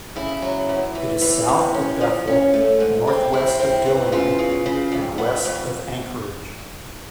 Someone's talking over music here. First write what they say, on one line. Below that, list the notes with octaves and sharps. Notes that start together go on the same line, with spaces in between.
It is south of Bethel, northwest of Dillingham and west of Anchorage.
C#3 E4
F#3
E2
E3
E3
C3
C#4
F3
C#4
A3
G#2
C4
C4 E4
C4
E3
C#3 F4
C#3
C#3
F2
B3
F2